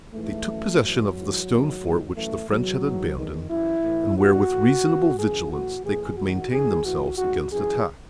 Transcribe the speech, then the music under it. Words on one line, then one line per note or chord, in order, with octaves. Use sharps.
They took possession of the stone fort which the French had abandoned, and where, with reasonable vigilance, they could maintain themselves against attack.
G#2 E3 A3
F#2 E3
A2 E3 F#3
G#2 E3
E2 D#3
G#2 D#3
F#2 E3 A3
E2 B2 F#3
G#2 E3
E2 D#3
F#2 E3 E4
A2 E3
E2 C#3 E3 F#4
A2 E3
E2 C#3 E3
F#2 C#3 E3 G#4
A2 E3 F#4
A2 E3 G#4
G#2 D#3 F#4
G#2 D#3 G#4
A2 E3 F#4
G#2 D#3 F#4
F#2 E3 G#4